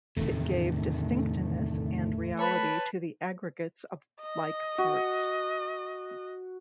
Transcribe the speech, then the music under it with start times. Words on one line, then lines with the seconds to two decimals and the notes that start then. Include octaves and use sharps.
It gave distinctness and reality to the aggregates of like parts.
0.17 D1 G1 E2 C3 D#3 A3
2.39 B4 C#5 A5 B5
4.22 D#5
4.78 F#4